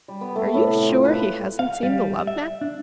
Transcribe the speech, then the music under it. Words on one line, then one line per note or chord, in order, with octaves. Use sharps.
"Are you sure he hasn't seen the Love Magnet?"
G3
B3
A3
A2
C3
F4
B4
F5
G3
E5
D4